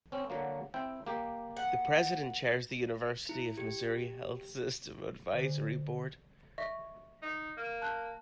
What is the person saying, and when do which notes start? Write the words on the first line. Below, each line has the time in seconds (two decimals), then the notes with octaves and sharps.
The president chairs the University of Missouri Health System advisory board.
0.12 C4 C#4
0.30 D3 F#3 A#3
0.74 C4 E4 G5
1.06 A#3 G4
1.57 F#5
3.29 E4
3.58 G4
5.33 D3 C5
6.58 D#5 E5 C#6
7.22 D#4
7.57 A#3
7.82 A5 F#6 G6